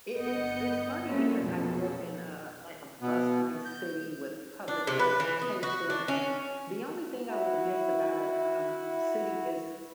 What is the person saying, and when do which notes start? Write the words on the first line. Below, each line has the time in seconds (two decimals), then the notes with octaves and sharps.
it it's it's funny because I grew up in a, like, a bustling city with public transportation, and the only thing I would miss about a, um, city is
0.15 G1 B3 D#5 F#5 G6 C#7
1.07 A#3 C4 C#4 E4 F#4 A4
1.39 A#1 F2 B2 F3 A4
3.01 B2 B3
3.65 G6
4.68 D4
4.87 C3
4.99 B4
5.20 E3
5.41 B3
5.63 F#4
5.90 D4
6.08 C#4
7.28 E4 F#4